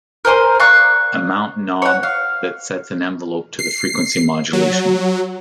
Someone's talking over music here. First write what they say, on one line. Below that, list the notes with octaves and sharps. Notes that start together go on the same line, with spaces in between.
Amount knob that sets an envelope to the frequency modulation.
A#4 C5 G#5 C6
D5 F5 C#6 F#6
C#5 F#5
F5
C7
F#3